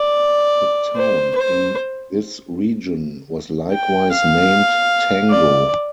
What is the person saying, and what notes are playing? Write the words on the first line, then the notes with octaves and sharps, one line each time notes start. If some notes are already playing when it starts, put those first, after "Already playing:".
A town in this region was likewise named "Tango".
Already playing: D5
C5
C5
G5
F5
D5